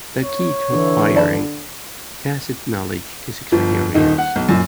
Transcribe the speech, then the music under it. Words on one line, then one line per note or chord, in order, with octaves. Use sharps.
The key to acquiring tacit knowledge is experience.
C#5
D3 E3
D5 A5 B5
G1 F3
D#1 D#3 D#4
F#5
B1
F#2 A#2